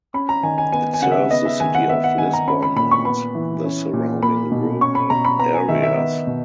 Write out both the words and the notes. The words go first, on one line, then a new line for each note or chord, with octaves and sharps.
It serves the city of Lisbon and the surrounding rural areas.
C#4 B5
A#5
D#3 G#5
G#5
B3 G#5
G#5
C#3 F#5
E5
B3 D#5
E5
D#3 G#5
F#5
B3 E5
F#5
D#3 G#5
A#5
C#4 B5
B5
A#2 B5
C#6
B3 B5
E3
C#4
A#2
A#3 B5
B2
C#4 C#6
B5
B2 A#5
B5
B3 A#5
G#5
D#3 E5
E5
B3
B2